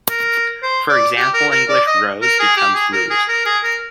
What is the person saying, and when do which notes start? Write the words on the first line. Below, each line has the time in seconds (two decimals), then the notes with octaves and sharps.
For example, English "rose" becomes "lose".
0.10 A#4
0.63 C5
0.89 D5
1.16 G4
1.34 A#4
1.51 A#4
1.69 D5
1.86 D#5
2.22 A#4
2.40 G#4
2.57 G4
2.75 G#4
2.93 A#4
3.10 G#4
3.28 A#4
3.46 G#4
3.63 A#4